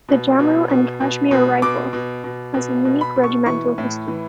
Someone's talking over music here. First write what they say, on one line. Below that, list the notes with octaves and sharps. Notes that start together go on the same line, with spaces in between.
The Jammu and Kashmir Rifles has a unique regimental history.
B2
B2
B2
B2
B2
B2 D6
B2
B2
B2
B2
B5
B2
C#6
E3 C#6
A2
E3